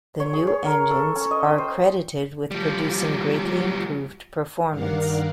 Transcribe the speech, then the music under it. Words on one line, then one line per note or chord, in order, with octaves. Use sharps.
The new engines are accredited with producing greatly improved performance.
C#5
G#4
C#5
A#4
A4
C#4
D#5
G5
C5
F3 G3
G2 D#3 A#4 D5 F5 F#5